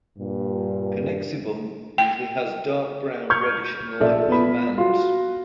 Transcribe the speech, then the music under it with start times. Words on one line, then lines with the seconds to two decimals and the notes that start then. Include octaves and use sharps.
Connexivum usually has dark brown, reddish and light blue bands.
0.18 G2 A#2
1.98 G5
3.30 C#6 F6 G6 G#6
4.00 A#1 A4 D5 E5
4.28 B3 B5
4.78 F4 F#4